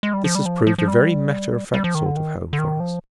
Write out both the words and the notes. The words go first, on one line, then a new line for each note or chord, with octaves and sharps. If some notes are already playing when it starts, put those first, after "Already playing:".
This has proved a very matter-of-fact sort of home for us.
G#3
G3
F3
G3
F3
F3
F3
G3
G3
F3
D#3
D3
D#3
D3
D#3
F3